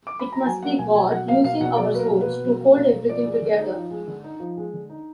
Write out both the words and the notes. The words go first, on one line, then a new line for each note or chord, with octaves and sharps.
It must be God, using our souls, to hold everything together.
D6
B5
A#5
F#3 G#5
A#3 F#5
B2 G#5
B2 G#5
F#3 F#5
A#3 F5
B2 F5
B2 F#5
F#3 D5
A#3 B4
A#4
B2
B4
B2
F#3
A#3
B2
B2
F3 D5
G#3
D3
D#4
F3
G#3
D3
D#4
F3
G#3
D3
D#4